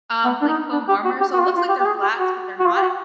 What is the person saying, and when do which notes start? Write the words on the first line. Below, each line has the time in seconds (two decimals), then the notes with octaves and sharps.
um, like foam armor, so it looks like they're flats, but they're not.
0.25 B3
0.41 D4
0.48 D#4
0.73 D4
0.89 G4
1.05 F#4
1.21 G4
1.33 F#4
1.39 F4
1.45 F#4
1.57 F4
1.69 G4
1.80 G4
1.86 G#4
2.02 G4
2.18 F#4
2.60 F#4
2.66 F4
2.77 G4
2.82 F#4